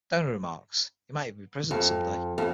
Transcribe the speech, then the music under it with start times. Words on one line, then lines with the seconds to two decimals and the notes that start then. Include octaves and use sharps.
Daniel remarks, He might even be President someday.
1.71 F2
2.38 F2